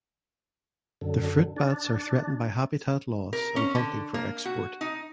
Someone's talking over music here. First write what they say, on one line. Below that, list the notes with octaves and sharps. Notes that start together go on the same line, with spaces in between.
The fruit bats are threatened by habitat loss and hunting for export.
F#2 D3
D4
A#4
C#4
D3
A#3
F#4
D#4